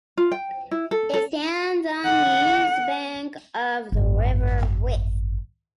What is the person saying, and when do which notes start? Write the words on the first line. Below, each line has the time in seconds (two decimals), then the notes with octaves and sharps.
It stands on the east bank of the River Wiske.
0.17 F4
0.32 G5
0.71 E4
0.91 A4
1.14 A4
2.05 F#5
3.92 G#1 F#2